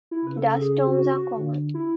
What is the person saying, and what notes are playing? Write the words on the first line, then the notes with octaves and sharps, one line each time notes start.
Dust storms are common.
E4
C#3 B4
A4
G#4
F#4
F#4
D3
E4